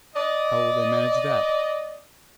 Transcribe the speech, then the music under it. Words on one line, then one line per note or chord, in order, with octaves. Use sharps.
"How will they manage that?"
D5 D#5